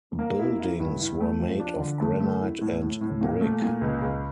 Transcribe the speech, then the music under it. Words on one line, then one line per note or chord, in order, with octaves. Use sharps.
Buildings were made of granite and brick.
A#3
E4
E4
G2
E4
A3
F3
D4
D3
A3
A3
E4
A2
A2
A2
A#2
A3
A#2
C#2
C#2